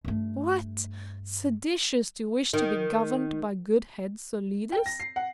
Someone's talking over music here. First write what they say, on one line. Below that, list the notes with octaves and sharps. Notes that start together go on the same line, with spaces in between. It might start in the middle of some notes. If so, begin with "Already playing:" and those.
"What! seditious to wish to be governed by good heads or leaders?"
G2 A3
D#3
G5
A#6
C7
F#5